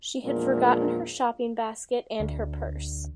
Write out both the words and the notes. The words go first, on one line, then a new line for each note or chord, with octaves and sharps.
She had forgotten her shopping basket and her purse.
E2 A#2 F3 G#3 D4 A#4
D2